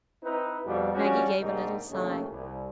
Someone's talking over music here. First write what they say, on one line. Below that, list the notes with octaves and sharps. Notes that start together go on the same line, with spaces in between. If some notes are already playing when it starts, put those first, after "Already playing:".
Maggie gave a little sigh.
C4 D#4 E4 B4
F2 B2 G3
F3 G3 G#3 C#4 D4 F#4
D#2 G#2 C3 D#3 D4 D#4
A#1 D#2 C3 A3 C#4
C2